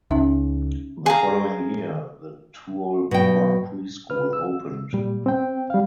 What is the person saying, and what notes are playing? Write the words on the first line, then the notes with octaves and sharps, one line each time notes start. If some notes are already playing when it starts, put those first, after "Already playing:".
The following year the Tuol Kork preschool opened.
C#2 C#4 D#4 E5
G#4 F5 A#5
B2 F#3 G5
B4 F6
E6
A#2 G3
C4 G5
G3 F5